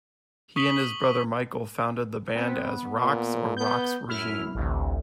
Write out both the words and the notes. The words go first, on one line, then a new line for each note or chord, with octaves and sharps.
He and his brother Michael founded the band as Roxx or Roxx Regime.
C#6 D#6 B6 F#7 G7
B3 C4
A#2
B3 G6
F#2 E4 F6
A1 D2 C3